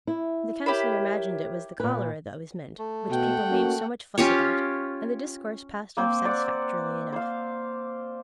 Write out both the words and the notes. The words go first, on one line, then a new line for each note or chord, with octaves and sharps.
The Councillor imagined it was the cholera that was meant, which people made so much fuss about; and the discourse passed off satisfactorily enough.
E4
G4 A#4 C#5 E5 B5
A#2 B4
A3
B2 F#5 G5
A#3 C#4 F#4
C#4 F4 G4 C#5
A#3 C4
D5 F#5
C5 F5